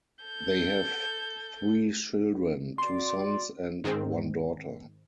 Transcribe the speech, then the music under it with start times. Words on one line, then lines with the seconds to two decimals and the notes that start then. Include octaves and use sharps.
They have three children; two sons and one daughter.
0.25 A4 G6
2.78 F#4 D5 C6
3.84 G#2 D#3 G#3 C4